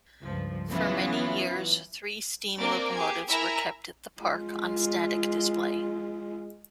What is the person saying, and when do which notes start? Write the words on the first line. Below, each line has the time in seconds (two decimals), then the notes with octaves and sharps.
For many years, three steam locomotives were kept at the park, on static display.
0.23 C#2 G2 F3
0.71 E3 F#3 B3 C#4 E4 F4
2.60 A#3 C4 D4 A#4 D5 D6
2.94 G4 G#4 G#5 G#6
3.29 E4 A#4 E5 G#5 A#5 B5
4.21 G#3 F4